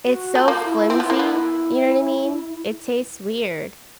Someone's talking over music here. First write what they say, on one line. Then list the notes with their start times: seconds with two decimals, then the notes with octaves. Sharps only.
It's so flimsy, you know what I mean? It tastes weird.
0.05 F#4
0.34 A3 F4 F#4
0.48 A#3
0.62 F4
0.65 E4
0.90 C4 E4
0.97 F4
1.00 B3
1.05 A#3 E4
1.19 B3